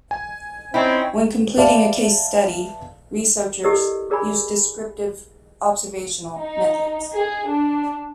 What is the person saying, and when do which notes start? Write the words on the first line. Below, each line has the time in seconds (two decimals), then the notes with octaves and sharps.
When completing a case study, researchers use descriptive observational methods.
0.11 G#5
0.74 C4 C#4 D#4 E4 G5
1.58 B4 D5 E5 F5 A5
3.64 E4 G4 A4 A#4 D5 D#5
4.10 G#4 A#4 D5 G#5 B5
6.38 D#4
7.13 G#4
7.47 D4